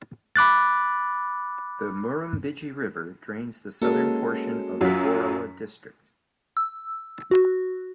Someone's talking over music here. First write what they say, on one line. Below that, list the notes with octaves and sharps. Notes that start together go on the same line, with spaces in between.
The Murrumbidgee River drains the southern portion of the Boorowa district.
B5 D6 F#6 A6
G#3 A#3 C#4 F#4 A4
F#2 F#3 F4 F#4 B6
E6
F#4